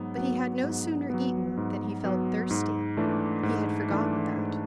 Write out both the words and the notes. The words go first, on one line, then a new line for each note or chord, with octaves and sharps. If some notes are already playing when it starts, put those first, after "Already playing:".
But he had no sooner eaten than he felt thirsty; he had forgotten that.
Already playing: G#2 F#3 B3
F#3 B3
G#2
F#3 B3
G#2
F#3 B3
G#2
E3 A3 D4
G#2
E3 A3 D4
G#2